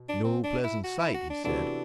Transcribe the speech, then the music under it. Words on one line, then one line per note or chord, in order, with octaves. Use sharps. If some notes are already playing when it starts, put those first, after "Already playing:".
"No pleasant sight," he said.
Already playing: B2
D4
C4
D4
E4
F#4
E4
F#4
D4
C3 E3 B3 D4 F#4 A4